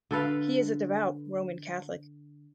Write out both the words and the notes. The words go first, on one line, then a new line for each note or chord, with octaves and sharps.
He is a devout Roman Catholic.
D3 A4 B4 F5